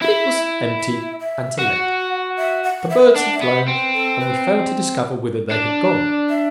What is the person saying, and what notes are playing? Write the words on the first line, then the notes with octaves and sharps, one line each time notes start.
But it was empty and to let. The birds had flown, and we failed to discover whither they had gone.
E4 E5
E5
E5
F#4 F#5
E5
F#5
E5
D4 F#5
E5
B3
C5
C4
B4
A4
B4
D4
E5